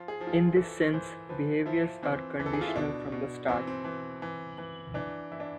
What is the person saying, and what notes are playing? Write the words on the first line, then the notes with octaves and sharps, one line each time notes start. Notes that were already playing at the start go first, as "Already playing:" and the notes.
In this sense behaviours are conditional from the start.
Already playing: F3 F4
G#4
F3
F4
G#4
E3 A4
E3 C5
F3 B4
F3 E4
E3 C4
E3
A4
G#4
F4
E4
B2 D4
B2
E3 C4
C4
E3
E3
E3
E3 D4
E3 E4
D4